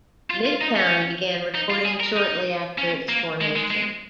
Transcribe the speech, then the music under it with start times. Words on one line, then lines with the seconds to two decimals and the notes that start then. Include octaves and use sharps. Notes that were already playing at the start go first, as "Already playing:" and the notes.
Midtown began recording shortly after its formation.
0.30 F4
0.46 F4
0.61 D#4
0.76 C#4
1.55 D#4
1.70 F4
1.86 G#4
2.00 A#4
2.16 D#4
2.78 C#4
3.09 A#3
3.41 G#3
3.56 G#3
3.71 G#3